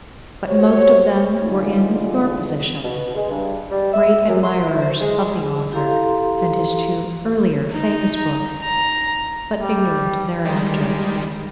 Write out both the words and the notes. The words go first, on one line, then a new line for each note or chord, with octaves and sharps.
But most of them were in your position--great admirers of the author and his two earlier famous books, but ignorant thereafter.
F#4 G4 C5 C#5
E2 G2 D3 G#3 D#4 F4
B2
G#3
G2
G3
E5
F#2
C6
E4
C5
G#3
E4 G4 A4 F5 A#5 C6
D#4
A#5
G3
D#3 G3 G#3